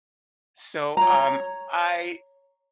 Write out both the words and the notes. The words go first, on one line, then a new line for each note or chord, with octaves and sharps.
So, um, I
C#5 A#5